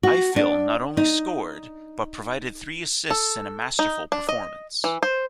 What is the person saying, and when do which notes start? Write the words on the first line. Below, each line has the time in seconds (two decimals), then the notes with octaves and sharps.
Ifill not only scored, but provided three assists in a masterful performance.
0.03 F#4
0.36 D4
0.97 D#4
3.11 A4
3.79 D#4
4.12 D4
4.29 D#5
4.84 E3
5.03 C5